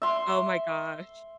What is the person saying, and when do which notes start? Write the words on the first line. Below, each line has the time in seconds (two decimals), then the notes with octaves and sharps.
Oh my gosh.
0.02 E5 C6